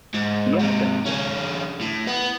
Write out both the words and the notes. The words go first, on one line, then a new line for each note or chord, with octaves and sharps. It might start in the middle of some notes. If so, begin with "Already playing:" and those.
Yeah, definitely.
G#2
G#2 C3
D3 C#4
A2
B3